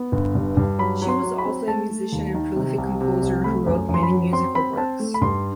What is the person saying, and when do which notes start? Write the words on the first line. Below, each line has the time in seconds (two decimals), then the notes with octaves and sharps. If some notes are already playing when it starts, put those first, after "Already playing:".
She was also a musician and prolific composer who wrote many musical works.
Already playing: B3
0.12 G1
0.35 G2
0.57 G2
0.79 F#3 B5
1.02 F#3
1.09 C6
1.23 F#3
1.38 B5
1.45 C4
1.67 A3 A5
1.90 A3
2.12 D#2
2.35 D#3
2.56 C3
2.78 C2
3.01 C3
3.23 C2
3.44 A3 B5
3.66 F#2
3.89 F#2
3.94 C6
4.03 B5
4.11 F#3
4.33 C4 C6
4.55 C4 B5
4.77 C4 A5
5.00 A3
5.14 B5
5.21 G2 C6